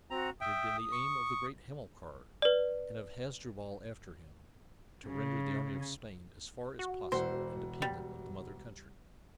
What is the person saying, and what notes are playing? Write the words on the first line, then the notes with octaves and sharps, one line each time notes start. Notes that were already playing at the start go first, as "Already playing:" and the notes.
It had been the aim of the great Hamilcar, and of Hasdrubal after him, to render the army of Spain as far as possible independent of the mother country.
C4 F#4 A#5
E5 G5 D#6
C#6
B4 D5
C#3
F#4
E1 E3 C5 F#5
G3